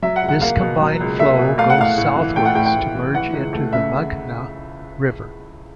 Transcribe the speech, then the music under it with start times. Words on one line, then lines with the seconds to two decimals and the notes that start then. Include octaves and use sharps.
This combined flow goes southwards to merge into the Meghna River.
0.02 F#3 E5
0.16 F#5
0.22 C#2
0.29 F#5
0.42 A#3 F5
0.61 B2
0.81 F#3
1.00 C#2
1.19 A#3 E5
1.39 B2
1.58 A3 F5
1.70 F#5
1.78 A2 F5
1.97 A2
2.16 E3
2.36 A3 G5
2.45 F#5
2.55 A2 G5
2.66 G5
2.75 A2
2.95 E3
3.14 E3 F#5
3.33 C#2
3.53 A3
3.73 C#3 E5